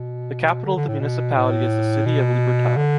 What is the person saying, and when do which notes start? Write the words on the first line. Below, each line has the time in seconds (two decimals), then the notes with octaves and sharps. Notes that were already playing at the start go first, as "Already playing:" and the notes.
The capital of the municipality is the city of Libertad.
Already playing: B2
0.65 D3
0.76 D3
0.88 A2
1.00 B2
1.36 A2
2.05 B2
2.77 D3